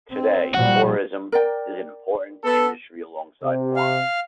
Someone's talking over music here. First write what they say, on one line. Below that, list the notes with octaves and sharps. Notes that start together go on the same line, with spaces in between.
Today tourism is an important industry alongside farming.
C4
A#2 F3 G3 F#4
A#4 D5 G5
B3 A4
C3
F5